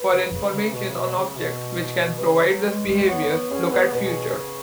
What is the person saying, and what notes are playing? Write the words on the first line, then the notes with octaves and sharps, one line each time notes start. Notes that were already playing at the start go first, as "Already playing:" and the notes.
For information on objects which can provide this behavior, look at "futures".
Already playing: B4
C#3
C#3
C#3
B2
C#3
B2
C#3
B2
B4
C#3 G#4 C#5
F#3
G#3
G#3
B3 C#5 F#5
C#5
B3 B4
C#4 G#4 C#5
B3 B4
B2 B4
G#4
G#4
C#3